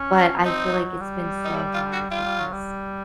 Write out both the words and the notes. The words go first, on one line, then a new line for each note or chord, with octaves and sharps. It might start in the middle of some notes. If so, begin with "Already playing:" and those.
But I feel like it's been so hard because
Already playing: C#4
D4
B3
C4 D#4
F#3
G3
D#4
E4
F4
F#4
G3 F4
G3
F#3
G3